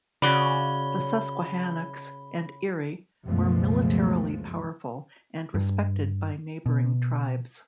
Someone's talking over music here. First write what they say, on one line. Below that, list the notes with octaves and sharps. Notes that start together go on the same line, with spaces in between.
The Susquehannocks and Erie were militarily powerful and respected by neighboring tribes.
C#3 C#4 F#4 D5 B5 G7
C#2 F#2 B2 F3 G#3 A3
G2
B2